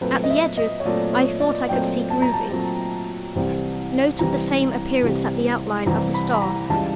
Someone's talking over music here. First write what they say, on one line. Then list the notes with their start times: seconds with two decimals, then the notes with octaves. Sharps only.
At the edges I thought I could see groovings; noted the same appearances at the outlines of the Stars.
0.01 A#2 F#3 A3 C4 B4
0.24 D#5
0.30 E5
0.57 D#5
0.80 C#5
0.85 A#2 F#3 A3 C4 D5
1.13 C#5
1.40 D5
1.69 A#2 F#3 A3 C4 G5
2.10 A5
2.22 A#5
2.33 A5
2.52 A#2 F#3 A3 C4
3.35 C2 C3 E3 G3 C4
4.19 C2 C3 E3 G3 C4 A#5
5.03 C2 C3 E3 G3 C4
5.86 C2 C3 E3 G3 C4 A#5
6.14 B5
6.33 B5
6.42 A#5
6.70 C#2 C#3 E3 G3 A5